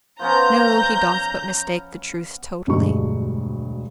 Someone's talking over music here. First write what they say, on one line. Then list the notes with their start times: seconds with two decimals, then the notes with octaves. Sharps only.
No; he doth but mistake the truth totally.
0.19 F3 B3 C#4 A#5 G6
2.67 E1 D2 G2 F#3 G#3 C#6